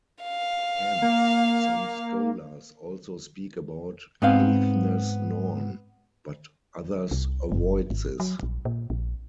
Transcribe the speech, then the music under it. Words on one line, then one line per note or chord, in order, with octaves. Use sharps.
Hence, some scholars also speak about "Caithness Norn", but others avoid this.
F5
A#3
G#2 B3 C4 F5
C2
F#1
G#1
F#3
A#1
A#2
A#1